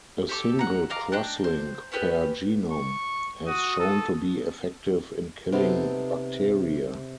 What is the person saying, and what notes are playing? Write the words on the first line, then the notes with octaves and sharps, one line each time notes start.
A single crosslink per genome has shown to be effective in killing bacteria.
G4 A4 C#6 D6
F#5 A#5
D#5 F5 A#5 D6
D4 D#5 G5 F#6
C5
B3 C#4 G4 B4
C#6
F#4 D#6
A4
C3 B3 D#4 A4